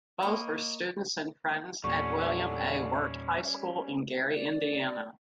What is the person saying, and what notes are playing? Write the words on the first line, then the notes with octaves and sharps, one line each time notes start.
Both were students and friends at William A. Wirt High School in Gary, Indiana.
A#3 C#5 D#5 B5
E2 A#2 D3 G3 C#4 C#6
D5